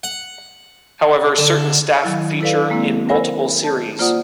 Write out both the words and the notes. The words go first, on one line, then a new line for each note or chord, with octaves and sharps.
However, certain staff feature in multiple series.
F#5
D3
D#3 F#3 E4
E4 A4 B4 D5 F5
G#3 A#3 C4 E4
A#4 C5 G#5 B5 E6
A5 G6
A#3 F4 C5 D5 F#5 D#6